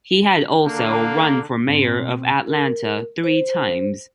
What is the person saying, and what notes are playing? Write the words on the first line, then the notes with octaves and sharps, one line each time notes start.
He had also run for mayor of Atlanta three times.
D3 A#3
G#2 C4
B2
A#4
C5